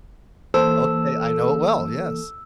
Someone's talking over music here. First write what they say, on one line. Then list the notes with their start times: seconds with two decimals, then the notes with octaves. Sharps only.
Okay. I know it well, yes.
0.54 E3 A#3 A4 C5 E6